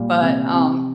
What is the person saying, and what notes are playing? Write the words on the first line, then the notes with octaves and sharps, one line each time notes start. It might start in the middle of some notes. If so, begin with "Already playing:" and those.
but, um
Already playing: A#2 G3
C3
C3